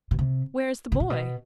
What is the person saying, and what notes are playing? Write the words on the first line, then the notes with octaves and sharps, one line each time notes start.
"Where is the boy?"
B2
C3
B2
A#2
B2